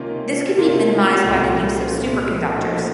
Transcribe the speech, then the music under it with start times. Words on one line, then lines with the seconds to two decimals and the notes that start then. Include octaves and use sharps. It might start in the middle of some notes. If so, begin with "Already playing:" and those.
This can be minimized by the use of superconductors.
Already playing: C3 D#3 A#3 C#4 F4
0.57 C3 D#3 A#3 C#4 F4
1.24 C2 A#2 A3 C#4 F4
1.89 C2 A#2 A3 C#4 F4
2.56 A#2 F3 A3 D#4 F#4